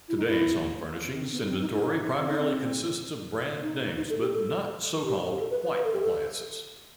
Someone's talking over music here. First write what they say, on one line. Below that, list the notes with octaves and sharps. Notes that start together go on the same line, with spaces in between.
Today's home-furnishings inventory primarily consists of brand names but not so-called white appliances.
E4
D#4
E4
C4
B3
D#4
C4
D#4
D#4
C4
D#4
C4
D#4
D#4
A4
G4
A4
G4
G4
A4
B4
B4
B4
A4
G4
A4